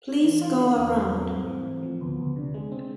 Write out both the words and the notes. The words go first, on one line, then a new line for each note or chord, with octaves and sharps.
Please go around.
E3 D4
F4
D3 D4
E2
B3 C4
G#2
A3
E3
A2
F3
D2 B3
D2
C3 D4
G#3
C4